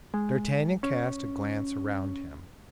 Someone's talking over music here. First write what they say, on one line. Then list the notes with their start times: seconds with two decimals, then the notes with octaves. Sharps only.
D'Artagnan cast a glance around him.
0.14 G#3
0.83 C#4